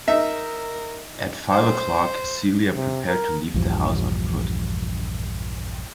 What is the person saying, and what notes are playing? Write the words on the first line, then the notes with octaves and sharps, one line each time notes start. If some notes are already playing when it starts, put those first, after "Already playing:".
At five o'clock, Celia prepared to leave the house on foot.
D#4 A#4 E5
C5
C3
A#4
A#1 E2 G2 F3